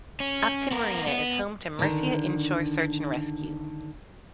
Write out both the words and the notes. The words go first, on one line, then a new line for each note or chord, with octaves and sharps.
Upton Marina is home to Mercia Inshore Search and Rescue.
C#4
B3 A#4
B3
D3 D#3